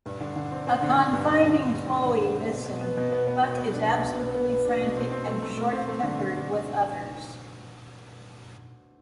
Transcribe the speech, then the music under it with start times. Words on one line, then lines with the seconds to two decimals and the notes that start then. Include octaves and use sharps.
Upon finding Chloe missing, Buck is absolutely frantic and short-tempered with others.
0.06 G2
0.20 D3
0.36 D3
0.51 C4
0.67 C4
0.82 D3
0.97 D3
1.13 G2
1.28 D3
1.43 D3
1.59 D3
1.74 G2
1.89 D3
2.05 D3
2.20 D3
2.35 C4
2.51 B2
2.66 B2
2.81 B3
2.97 B2
3.12 B3
3.27 B3
3.42 B2
3.58 B3
3.73 D4
3.88 B1
4.04 B1
4.20 B3
4.35 B3
4.50 B3
4.65 D4
4.81 B2
4.96 C4
5.12 C4
5.27 A3
5.42 A3
5.57 A3
5.73 C4
5.88 A3
6.03 D3
6.19 D3
6.34 D3
6.49 D3